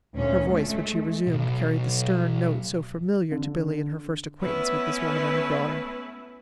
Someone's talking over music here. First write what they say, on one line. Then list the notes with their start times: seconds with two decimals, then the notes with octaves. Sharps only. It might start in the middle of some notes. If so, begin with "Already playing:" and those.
Her voice, when she resumed, carried the stern note so familiar to Billy in her first acquaintance with this woman and her daughter.
0.15 D2 A#2 C#4
0.50 G#3 A3
1.27 B1
3.32 D3
4.40 A3 B3 C#4 E4 B4